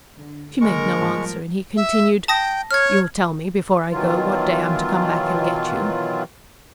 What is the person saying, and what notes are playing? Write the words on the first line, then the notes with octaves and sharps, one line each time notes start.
She made no answer, and he continued: "You'll tell me before I go what day I'm to come back and get you?"
D3
D3 F#3 G#3 A#3 A#4 C#6
G#2 F3 G3
E5
G5 A5 D#6 A#6
C#5 F6 G#6
B2 D#3 E3 F#3 F4